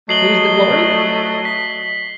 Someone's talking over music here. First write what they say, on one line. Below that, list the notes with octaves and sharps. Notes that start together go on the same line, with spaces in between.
Whose the glory?
F#3 A3 D#5 C7 F#7 G7
B6